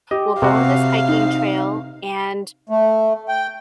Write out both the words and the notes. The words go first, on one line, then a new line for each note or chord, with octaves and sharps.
we'll go on this hiking trail, and
G4 D#5
C3 F#4 F5
D#4
A3
G5